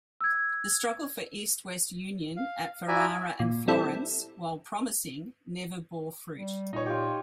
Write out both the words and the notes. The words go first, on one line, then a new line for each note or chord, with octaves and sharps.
The struggle for East-West union at Ferrara and Florence, while promising, never bore fruit.
E6 G#6
F5
E4 F#4 D5 E5 G#5 A#5
A#2
G3 C4 E4 A4 E6
G3
A#2 D#4 C#5
F4 G4